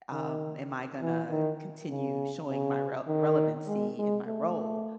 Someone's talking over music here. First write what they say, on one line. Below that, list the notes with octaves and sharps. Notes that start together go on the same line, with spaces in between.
um, am I gonna continue showing my rel relevancy in my role
D#3
E3
D#3
C#3
C#3
D#3
G#3
G#3
A3